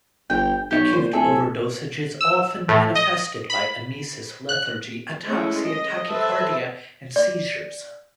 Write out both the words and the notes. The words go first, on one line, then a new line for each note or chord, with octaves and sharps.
Acute overdosage is often manifested by emesis, lethargy, ataxia, tachycardia and seizures.
G1 G5
B1 G4 C#5
A#2 C5
D1 G#4 A4 E5
E6
A2
D#5
B5
F#6
G#3 A3 C#4 E4
D#5
A4 B4 C5 E5 A5
D5